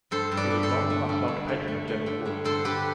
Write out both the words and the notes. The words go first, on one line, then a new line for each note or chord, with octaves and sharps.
He was long the much loved patron of General Wolfe.
G2 A4 C5
G2
B4 D5
A3
A4 C5
D3
A3
G2
G2
A3
A3
A3
D3
G2
D3 A4 C5
D3 G4 B4